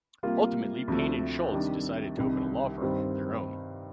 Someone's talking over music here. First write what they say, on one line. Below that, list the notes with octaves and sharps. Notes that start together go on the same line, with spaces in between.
Ultimately, Payne and Shultz decided to open a law firm of their own.
C3 G3 A#3 F4
D2 C3 F3 A3
C3 D#3 G3 D4
C2 C3 D#3 G3 D4
G2 D#3 G3 C4